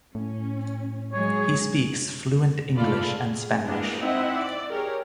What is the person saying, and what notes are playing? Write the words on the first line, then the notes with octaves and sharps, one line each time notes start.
He speaks fluent English and Spanish.
A2 C#4
F#3 G#3 G#4 C#5
G#3 A3 F4 A4 D5 B5
A3 G#4
E3 G#3 A#3 B3 D4
C4 D#4 E4 D#5 E5 F#5
D5
G4 G#4 A#4 C#5